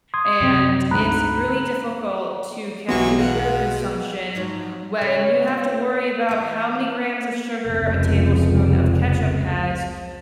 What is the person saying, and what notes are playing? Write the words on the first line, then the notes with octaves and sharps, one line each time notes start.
and it's really difficult to cap your sugar consumption when you have to worry about how many grams of sugar a tablespoon of ketchup has,
C6 D#6 G#6
F#2 C3 C4
D2 G#2 A#5 B5 F#6
B1 E3 F#3 B3 F#4 G4 C6 C#6
B2 G#4 F5 F#5
G#2 F3 F#3
C#3 C#4 C#5
F4
E3 B3
F1 C#2